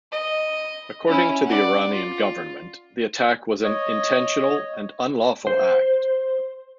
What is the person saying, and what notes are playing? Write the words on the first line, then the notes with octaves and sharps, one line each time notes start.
According to the Iranian government, the attack was an intentional and unlawful act.
D#5
C#4 E4
D5 F#5
F4
C#5 D#5
C5